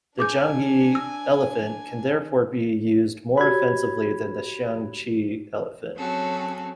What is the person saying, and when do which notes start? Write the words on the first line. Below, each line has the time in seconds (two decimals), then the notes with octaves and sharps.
The janggi elephant can therefore be used more offensively than the xiangqi elephant.
0.19 D4 G#4 G#5 D6 G6
0.95 E6
3.38 F#4 G4 C#5 B5 G#6
5.96 F#3 C4 C#4 F#4 G#4 A4